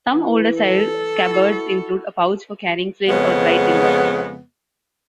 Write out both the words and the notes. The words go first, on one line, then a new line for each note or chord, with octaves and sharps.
Some older style scabbards include a pouch for carrying flint or dry tinder.
E3
A4
E4 F#4
F2 C#3 G#3 B3